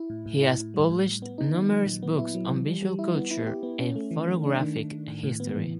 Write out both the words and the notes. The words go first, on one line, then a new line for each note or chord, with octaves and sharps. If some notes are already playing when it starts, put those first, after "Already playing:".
He has published numerous books on visual culture and photographic history.
Already playing: E4
A2
A2
E4
A2
G3
A2
A2
B3
D#4
D#3
F#3
A#2
B3
E4
F#3
E3
G3
G3
E4
B3
E4
G4
B3
C#4
A3
E3
A3
D4
D#3
D#3
D#3
A2
A2
B3
E3